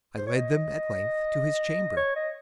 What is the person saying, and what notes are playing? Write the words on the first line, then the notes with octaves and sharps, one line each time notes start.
I led them, at length, to his chamber.
C5
C#5
D#5
C#5
D#5